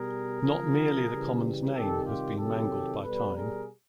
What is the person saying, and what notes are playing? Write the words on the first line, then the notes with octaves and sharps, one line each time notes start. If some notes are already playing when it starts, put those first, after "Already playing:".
Not merely the common's name has been mangled by time.
Already playing: B2 G3 G#4 A#4
C#3 F3
C#3 E3 G3
C3 D#3 G3 G4 A4
F4 G4
C3 D#3 F#3 G4 A4
B2 G3 A4 B4
G#4 A#4